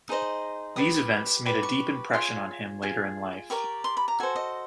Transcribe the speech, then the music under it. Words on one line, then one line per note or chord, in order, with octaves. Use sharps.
These events made a deep impression on him later in life.
D#4 G#4 C5 D#5
G4 B4 D5 D#6
G4 B4 D5 D6
C#6
F4 G#4 C#5 C6
F4 G#4
G4 A#4 D5 C#6
C6
B5
A#5
F#4 A4 C5 G#5
D#5